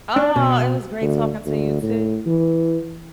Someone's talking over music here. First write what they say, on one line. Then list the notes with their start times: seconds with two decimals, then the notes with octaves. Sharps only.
Aw, it was great talking to you too.
0.16 D4
0.36 B2
1.01 D2
1.46 D2
1.82 A2
2.26 E3